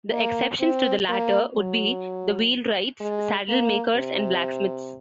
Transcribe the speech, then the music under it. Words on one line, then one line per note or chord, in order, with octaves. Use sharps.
The exceptions to the latter would be the wheelwrights, saddle-makers and blacksmiths.
A#3
C4
A#3
F#3
G#3
A#3
C3